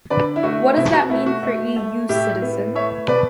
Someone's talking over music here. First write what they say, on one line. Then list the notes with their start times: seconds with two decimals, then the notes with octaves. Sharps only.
What does that mean for EU-citizen?
0.10 D3 B4 D5
0.36 E4
0.43 A3 F#4
0.76 B2 E4
0.93 F#4
1.10 A3 E4
1.26 F#4
1.43 A3
1.76 A3
2.09 A2 E4 G4
2.42 B3
2.75 A3 C#5 E5
3.08 B2 B4 D5